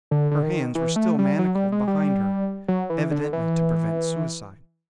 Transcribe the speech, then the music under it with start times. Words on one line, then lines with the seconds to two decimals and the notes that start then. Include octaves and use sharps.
Her hands were still manacled behind her, evidently to prevent suicide.
0.11 D3
0.31 D3
0.43 D#3
0.75 E3
0.96 A3
1.19 G3
1.39 F#3
1.55 G3
1.72 G#3
1.87 G3
2.68 F#3
2.90 E3
3.11 D3
3.33 E3